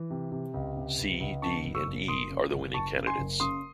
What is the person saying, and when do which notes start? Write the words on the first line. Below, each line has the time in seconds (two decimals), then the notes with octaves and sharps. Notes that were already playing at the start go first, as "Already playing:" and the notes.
C, D and E are the winning candidates.
Already playing: E3
0.10 C3
0.32 C3
0.54 C#2
0.77 C3
0.98 C#2
1.20 C#2
1.42 C#3 A5 C#6
1.64 F#1
1.75 C#6 E6
1.86 F#1
2.08 F#1 C6 D#6
2.30 C#3
2.52 F#1
2.74 F#1 A5 C#6
2.96 C#3
3.07 G#5 C6
3.18 F#1
3.40 C#3 C6 D#6